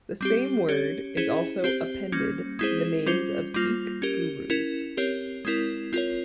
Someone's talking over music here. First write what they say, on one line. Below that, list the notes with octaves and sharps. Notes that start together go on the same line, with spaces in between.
The same word is also appended to the names of Sikh gurus.
G3 C4 G4
C#4 G4 C#5
C#4 E4 G#4 C5
C4 G4 C5
G3 A#3 C#4
G#3 C4 E4 G#4 C5
G3 C#4 F4 C5
G3 A#3 F4
C#4 G4 A#4
C#4 E4 A#4
C4 G4 A#4 C#5
G#3 C4 E4 A#4
C4 F4 A#4 C#5